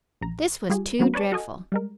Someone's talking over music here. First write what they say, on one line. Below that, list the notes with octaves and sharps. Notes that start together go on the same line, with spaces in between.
This was too dreadful.
A#1 A#5
G3 F4 G4 G#4
D#3 F#3 A#3 B3 C#4
B4 C#5 D5 A5
F#4 A4 D#5 G#5
G3 G#3 A#4